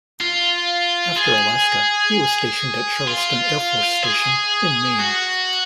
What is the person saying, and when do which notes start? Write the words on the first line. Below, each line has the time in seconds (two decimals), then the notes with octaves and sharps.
After Alaska, he was stationed at Charleston Air Force Station in Maine.
0.20 F4
1.16 G#4
3.07 F4
4.03 G#4
4.99 F#4